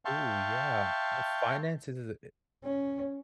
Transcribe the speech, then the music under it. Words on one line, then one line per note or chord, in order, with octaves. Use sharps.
Ooh, yeah. Uh, finance is is a
E5 F5 G5 A5 C6 C#6
C#4